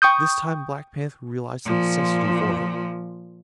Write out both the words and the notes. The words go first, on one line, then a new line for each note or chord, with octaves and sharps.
This time Black Panther realized the necessity for it.
G5 C#6 D#6 G6
A#2 F3